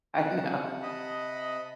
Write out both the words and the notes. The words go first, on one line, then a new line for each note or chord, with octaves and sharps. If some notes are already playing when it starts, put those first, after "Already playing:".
I know.
C3 F#5 A5
D#5 B5